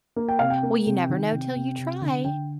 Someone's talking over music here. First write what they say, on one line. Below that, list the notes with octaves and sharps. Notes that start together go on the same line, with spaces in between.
"Well, you never know till you try."
A#3
G5
C3 F5
G5
A#3
C3
D#3
C3
C3
C3
D3
D3 G5